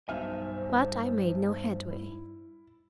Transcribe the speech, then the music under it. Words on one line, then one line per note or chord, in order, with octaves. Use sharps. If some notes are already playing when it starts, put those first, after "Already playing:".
But I made no headway.
B1 G2 D#4 C5 E5 G#5 F6
E4